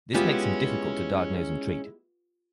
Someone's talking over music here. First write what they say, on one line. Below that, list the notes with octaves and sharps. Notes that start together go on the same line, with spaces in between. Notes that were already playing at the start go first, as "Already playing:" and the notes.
This makes them difficult to diagnose and treat.
G#3 B3 C#4 E4 F4 G4